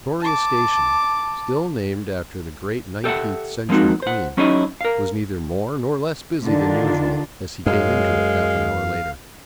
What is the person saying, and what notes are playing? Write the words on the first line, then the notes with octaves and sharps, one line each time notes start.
Victoria Station, still named after the great nineteenth-century Queen, was neither more nor less busy than usual as he came into it half-an-hour later.
A5 D6
G4 A4 D#5 E5 F#5
F3 G#3 A#3 C4 D#4 F#4
C5 F#5
F#3 C#4 D#4 E4 G#4 D#5
A#4 F5
D3 D#3 D4 F4
F#2 G#3 F5